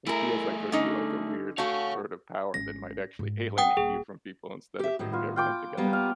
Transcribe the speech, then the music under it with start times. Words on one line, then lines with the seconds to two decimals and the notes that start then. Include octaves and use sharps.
it feels like it would be, like, a weird sort of power that might actually alienate you from people instead of bringing everyone together.
0.07 A3 E4 G#4 A#4
0.72 D3 C#4 D#4
1.58 A3 F#4 C#5 F5
2.54 G#1 C#4 A#6
3.19 G#2
3.58 C4 F#5 G5 D#6
3.77 D#1 G#4
4.79 G4 E5
4.99 A2 D#3 F#4
5.12 B3 F4
5.36 F4 G5 D6
5.77 G3 A#3 B3
5.93 F5